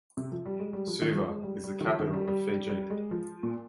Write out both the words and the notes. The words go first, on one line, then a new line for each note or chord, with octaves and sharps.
Suva is the capital of Fiji.
C3
F3
G3
G#3
G3
F3
D#3
F3
G#3
G3
G3
D#3
F3
D#3
G3
G3
G3
G#3
F3
A#2